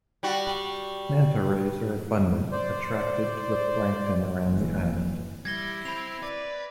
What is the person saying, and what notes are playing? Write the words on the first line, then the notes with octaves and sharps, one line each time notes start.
Manta rays are abundant, attracted to the plankton around the island.
G3 F#4
C5 D5
F#1 E3
G3 E4 G#6 A#6 G7
C4 B5 F7
B4 D5